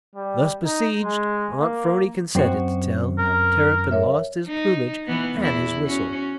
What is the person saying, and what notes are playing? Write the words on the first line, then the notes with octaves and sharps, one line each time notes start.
Thus besieged, Aunt 'Phrony consented to tell how the Terrapin lost his plumage and his whistle.
G3
D#4
G#3
A#3
F#2 C4 F#4 G5
A#4
A#4 C#5 E5
D#4
E3 B3
E2 E4
C#4 F#4